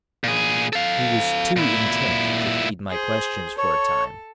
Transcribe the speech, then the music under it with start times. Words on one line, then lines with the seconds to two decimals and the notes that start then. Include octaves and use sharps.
He was too intent to heed my questions for a time.
0.24 A#2 G#4
0.73 A4 F5
1.56 A#2 E4
2.89 G#4 C5
3.58 A4 C#5